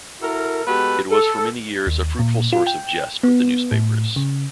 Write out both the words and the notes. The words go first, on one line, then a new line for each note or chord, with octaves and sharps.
It was for many years a fruitful source of jest with the newspapers.
E4 F#4 A4 A#4
G#3 B3 F#4 G4 A4 B4
A4
D#2
A#2
F4
G5
B3
A2
C#3